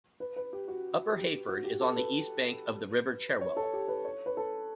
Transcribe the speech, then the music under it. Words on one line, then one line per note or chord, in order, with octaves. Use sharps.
Upper Heyford is on the east bank of the River Cherwell.
B4
B4
G4
F#4
G4
F#4
G4
A4
B4
C#5
A4
G4
B4
C#5
B4
A4